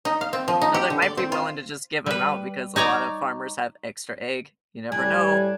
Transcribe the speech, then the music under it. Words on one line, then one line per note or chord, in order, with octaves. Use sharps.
Now they might be willing to just give 'em out because a lot of farmers have extra egg. You never know.
D#4
F5
C4
F3
D#4
G4
D3
D5
C4
F4
G3 B4
D#4 C#5 D5 A#5
A2 G3 D4 G#5